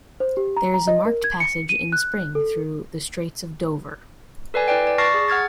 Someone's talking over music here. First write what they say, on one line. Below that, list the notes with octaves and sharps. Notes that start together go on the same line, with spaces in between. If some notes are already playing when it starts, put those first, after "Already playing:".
There is a marked passage in spring through the Straits of Dover.
C5
G4
A#5
A#5
D#5
A#4
G#6
C#7
D#7
F#6
A4
A4 B4 D5 G#5
E4 B4 D5 G5
D5
A5 C#6 F6 A6 A#6 C7
G#4
F#5 F6 G#6 A6